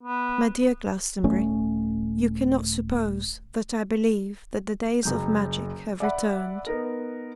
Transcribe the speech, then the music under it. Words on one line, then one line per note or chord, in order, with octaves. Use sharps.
'My dear Glastonbury, you cannot suppose that I believe that the days of magic have returned.
B3
D#1 A3 C#4
F#1 F#3 G6
D5 E5 F#5 B5
B3 D#4 A#4